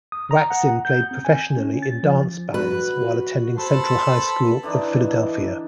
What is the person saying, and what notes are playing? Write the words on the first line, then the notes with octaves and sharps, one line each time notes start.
Raksin played professionally in dance bands while attending Central High School of Philadelphia.
D#6
A#5
F#5
G6
C4
G#5
C#4
A6
F3
F#4 B4
A4 C5 A5 B5 C6
D3 E3 D4 D#4